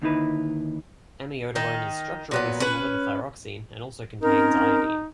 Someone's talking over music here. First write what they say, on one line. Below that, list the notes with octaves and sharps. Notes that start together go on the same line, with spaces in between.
Amiodarone is structurally similar to thyroxine and also contains iodine.
D#2 D3 D#4 E4 A4 B4
D#3 D#4
A#2 F#3 B3
C#4 B4
C4 C#4 D#4 A#4